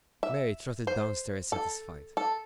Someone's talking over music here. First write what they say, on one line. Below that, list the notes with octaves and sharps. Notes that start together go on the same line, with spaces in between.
Mary trotted down stairs satisfied.
E5
C5
A4
A4